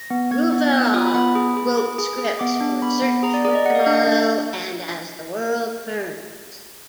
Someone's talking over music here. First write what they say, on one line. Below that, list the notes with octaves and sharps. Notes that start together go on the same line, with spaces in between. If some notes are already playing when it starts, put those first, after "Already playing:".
Rouverol wrote scripts for "Search for Tomorrow" and "As the World Turns".
Already playing: A#6
B3
B3 G#6
B3
B3 F#6
F6
F4 D#6
B5
B3 B5
G#4
G#4
G#4
G#4
G#4
B3 D6
D4
B3 B5
B3
G#4 A#5
D5
G#4 D5
D#5
G#4 F#5
F5
D4 D#5
F5
D4